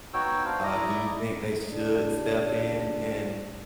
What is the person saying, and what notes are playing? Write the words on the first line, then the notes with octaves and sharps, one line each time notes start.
Um, do you think they should step in and
B3 D#4 F#4 C#5 G5 E6
D4 C5 F5
E4 D5 D#5 A#5
A1 A2 C#3 D4